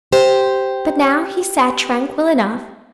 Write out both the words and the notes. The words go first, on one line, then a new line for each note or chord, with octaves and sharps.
But now he sat tranquil enough.
G4 C5